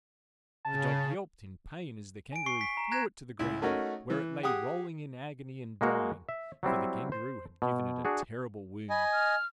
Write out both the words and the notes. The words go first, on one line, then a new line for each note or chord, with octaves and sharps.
The dog yelped in pain as the Kangaroo threw it to the ground, where it lay rolling in agony and dying; for the Kangaroo had given it a terrible wound.
C#3 A5
G#5 D7
C#6 C7 D7
B6
A#5 E7
A#5 F#6 G#6 A#6 E7
C#2 E4
A3 C#4 D#4 F#4 A#4
E3
G4 G#4 F#5 D#6
G#3 A#3 F#4 A#4
E5
F#3 G3 C4 E4
C5
B2
D4 F#4 G#4
D#5 G#5 B5
F6